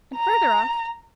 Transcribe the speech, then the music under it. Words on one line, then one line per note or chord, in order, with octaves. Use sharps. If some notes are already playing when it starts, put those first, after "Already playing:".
"And further aft?"
A#5